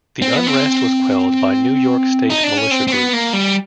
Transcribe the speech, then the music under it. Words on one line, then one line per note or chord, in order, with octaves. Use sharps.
The unrest was quelled by New York State militia groups.
C4
B3
C4
D#4
D4
C#4
C4
C4
B3
A#3
G3